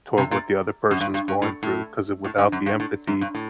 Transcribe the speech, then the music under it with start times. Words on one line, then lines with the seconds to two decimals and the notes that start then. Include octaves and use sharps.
toward what the other person's going through, 'cause, it without the empathy,
0.17 C3
0.31 A#2
0.91 F#2
1.01 G2
1.14 G2
1.28 G2
1.42 A2
1.63 A2
2.24 A2
2.38 G2
2.52 F#2
2.66 G2
2.80 A2
3.07 F#2
3.21 G2
3.35 A2